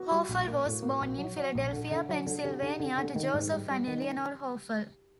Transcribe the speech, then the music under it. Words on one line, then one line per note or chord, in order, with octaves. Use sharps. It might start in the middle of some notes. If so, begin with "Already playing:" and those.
Hoeffel was born in Philadelphia, Pennsylvania, to Joseph and Eleanore Hoeffel.
Already playing: B3 F#4
G3
A#1
A#3
A2
A#3
A#1
F#3
F#3
A#1
D3
D3
F#3
D3
D3 G4
D3
D3
D3
D#3
G#2
G3
G3
D#3